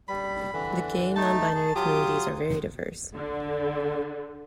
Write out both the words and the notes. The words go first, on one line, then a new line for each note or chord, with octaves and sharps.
The gay and non-binary communities are very diverse.
G3 B5
D3 E3
A3 D#4 A5
G#4
F#3 F4 G4 D#6
D3